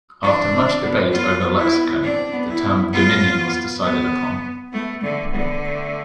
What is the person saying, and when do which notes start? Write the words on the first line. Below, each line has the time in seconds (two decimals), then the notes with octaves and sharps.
After much debate over lexicon, the term 'Dominion' was decided upon.
0.23 E3 D4
0.52 C4
0.83 B3
1.13 B3 F4
1.43 B3
1.57 E4
1.72 B3
2.02 C4 D4
2.32 B3
2.47 E4
2.63 B3
2.93 B3 F4
3.37 B3
3.83 B3
4.72 A3 B3
5.03 D3 A3
5.32 D3 B3
5.62 A3